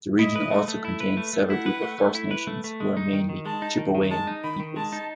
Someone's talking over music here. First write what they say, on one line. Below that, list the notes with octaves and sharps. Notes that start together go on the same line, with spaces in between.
The region also contains several groups of First Nations, who are mainly Chipewyan peoples.
E4 D#5
B4
A3
A3
E4
B4
A3
A3
E4 F#5
B4
A3
A3
E4
B4
A3
A3
G#3
D#4
D#3
D#3
G#3 A5
D#4
D#3
D#3
G#3 A5
D#4
D#3 B5
D#3
G#3 A5
D#4